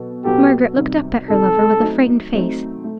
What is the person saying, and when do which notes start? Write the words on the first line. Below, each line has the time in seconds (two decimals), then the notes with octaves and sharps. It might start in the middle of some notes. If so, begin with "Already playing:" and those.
Margaret looked up at her lover with a frightened face.
Already playing: B2 F#3 B3 A4
0.24 B2 F#3 B3 F#4 G4 A4
0.77 C3 D#3 G3
1.29 C3 D#3 G3 A4
1.80 F#3 A3 C4 D#4
2.33 F#3 A3 C4 D#4
2.84 A3